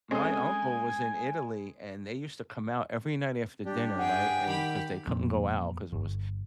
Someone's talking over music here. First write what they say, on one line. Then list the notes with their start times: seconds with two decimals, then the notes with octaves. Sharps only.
My uncle was in Italy, and they used to come out every night after dinner, right? And 'cause they couldn't go out, 'cause it was
0.11 G#3 C4 C#4 A4 G#5 D#6
3.66 G3 D4 G4
3.99 G2 G#4 F#5 G5
4.46 D#3 G4 B5
5.08 F2 A#2
5.93 G1